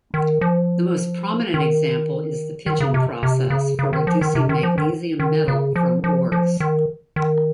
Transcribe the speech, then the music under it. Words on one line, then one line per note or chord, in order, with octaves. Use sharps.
The most prominent example is the Pidgeon process for reducing magnesium metal from ores.
D#3
F3
D#3
D#3
C#3
C3
C3
C#3
C#3
D#3
F3
D#3
C3
D#3
F3
D#3
D#3
C#3
F3
F3
F3
D#3
D#3